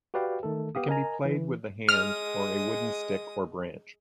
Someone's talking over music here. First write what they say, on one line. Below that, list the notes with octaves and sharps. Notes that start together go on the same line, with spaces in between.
It can be played with the hands or a wooden stick or branch.
F#4 G4 B4 D5 F5 G5
D#3 A3 A4
B3 G4 F5 D#6
A#4 D#5 G#5 A#5
E3
G#3 D#6 F6